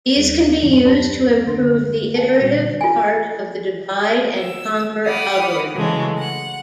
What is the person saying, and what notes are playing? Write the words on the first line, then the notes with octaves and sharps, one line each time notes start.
These can be used to improve the iterative part of the divide-and-conquer algorithm.
D#2 G3 G#4
F#2 B2 D#3 F#3 B3
C#4 G4 D5 A5 B5 C6
D3 D4 C6 A6 A#6
F5 F#5 G#5 A5
A#2 D3 G3 D4 F#4
F4 G#5
E6
F#5 B5 D6 D#6 F6
C#3 E3 F#3 G#3 A3
F#5